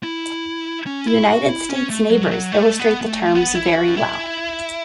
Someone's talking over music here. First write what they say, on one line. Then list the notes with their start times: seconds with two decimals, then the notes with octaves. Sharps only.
The United States' neighbors illustrate the terms very well.
0.03 E4
0.86 C#4
1.07 E4
1.27 F#4
1.49 E4
1.69 C#4
1.90 A3
2.10 F#3
2.31 F#3
2.52 A3
2.79 B3
3.01 B3
3.07 A3
3.35 B3
3.55 E4
3.75 F#4
3.88 C#4
3.97 E4